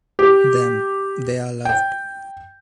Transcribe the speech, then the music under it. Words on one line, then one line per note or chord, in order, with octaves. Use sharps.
Them, they are loved.
G4
G5